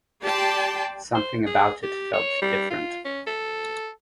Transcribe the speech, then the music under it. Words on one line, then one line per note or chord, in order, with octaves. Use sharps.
Something about it felt different.
G4 D5 G5 A5 C6
C5
G#4
G4
C#5
G3
F4
C#4
A4